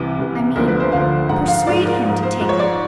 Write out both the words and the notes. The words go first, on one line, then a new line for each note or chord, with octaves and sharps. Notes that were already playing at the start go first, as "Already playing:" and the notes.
I mean, persuade him to take it....
Already playing: C2 C3 E3
C2 C3 E3
D2 D3 F3 A#4
B4
C5
D2 D3 F3 F5
G#2 F3 F#5
F5
G#2 F3 D5
A#4
G#2 F3
C5
G#2 F3
C#5
D5